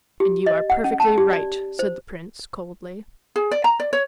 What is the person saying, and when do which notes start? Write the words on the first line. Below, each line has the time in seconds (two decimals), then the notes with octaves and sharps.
"And you are perfectly right," said the prince, coldly.
0.20 G4
0.46 D#5
0.70 F#5
0.84 C#4
1.00 A5
1.18 G4
1.33 D5
1.79 C5
3.36 G#4
3.51 D5
3.64 A#5
3.80 D5
3.93 C#5